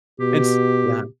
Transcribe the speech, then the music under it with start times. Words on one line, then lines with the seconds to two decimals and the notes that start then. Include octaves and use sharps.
It's yeah.
0.20 B2 G4